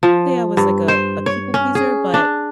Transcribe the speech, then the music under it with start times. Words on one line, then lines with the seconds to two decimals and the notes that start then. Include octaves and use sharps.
say I was like a a people pleaser, but
0.03 F3
0.57 G2
0.88 C5
1.26 C#5
1.54 C#4
1.75 G#4
2.14 D4